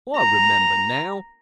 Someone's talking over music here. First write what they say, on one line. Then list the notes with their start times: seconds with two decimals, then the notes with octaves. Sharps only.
I remember now!
0.16 A#5